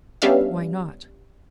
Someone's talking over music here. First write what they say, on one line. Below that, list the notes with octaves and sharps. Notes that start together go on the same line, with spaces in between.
"Why not?"
G3 B3 C#4 D4 E5 F5